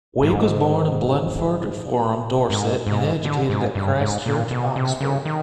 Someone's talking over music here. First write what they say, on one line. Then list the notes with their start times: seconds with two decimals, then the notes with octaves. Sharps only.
Wake was born in Blandford Forum, Dorset, and educated at Christ Church, Oxford.
0.23 G#2
2.50 G#2
2.87 G#2
3.25 D3
3.50 G#2
3.75 G2
4.00 G#2
4.26 A#2
4.51 B2
4.76 C3
5.01 C#3
5.25 D#3